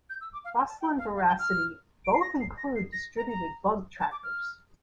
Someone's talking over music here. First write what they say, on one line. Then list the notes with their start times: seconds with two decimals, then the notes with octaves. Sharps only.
Fossil and Veracity both include distributed bug trackers.
0.10 G6
0.21 E6
0.33 D6
0.45 F5
0.56 G5
0.68 A5
0.81 G5
0.98 F5
1.16 F5
1.27 G5
1.39 F6
2.05 D7
2.14 C7
2.22 A#6
2.41 C7
2.58 A#6
2.76 C7
2.93 A#6
3.17 A#5
3.28 A#5
4.00 A5
4.12 D6
4.23 F6